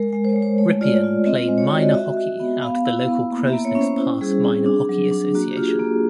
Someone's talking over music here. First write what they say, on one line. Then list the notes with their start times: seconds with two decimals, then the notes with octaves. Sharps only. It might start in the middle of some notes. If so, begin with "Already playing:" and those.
Rypien played minor hockey out of the local Crowsnest Pass Minor Hockey Association.
Already playing: G#3 A#4
0.13 G#3
0.25 C5
0.33 G#3 C#5
0.42 C5
0.58 A3 C#5
0.81 F4 D5
1.04 F4
1.26 C4 D#5
1.46 G#3 C5
1.58 C#5
1.71 F#4 D5
1.82 D#5
1.94 F#4 E5
2.17 F#4
2.40 B3
2.62 B3 F5
2.85 E4
3.08 B3
3.31 A#3
3.48 E5
3.53 A#3
3.65 C#5
3.75 C#4
3.81 C5
3.98 E4 C5
4.21 G3 G#4
4.44 C4 G#4
4.66 D4
4.89 F#3
5.12 D4
5.35 A#3 F#4
5.51 G4
5.57 F4
5.68 G#4
5.79 A#3